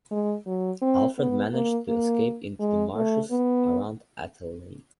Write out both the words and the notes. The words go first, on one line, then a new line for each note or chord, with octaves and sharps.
Alfred managed to escape into the marshes around Athelney.
G#3
F#3
C4
B3
A#3
A#3
G#3
A3
B3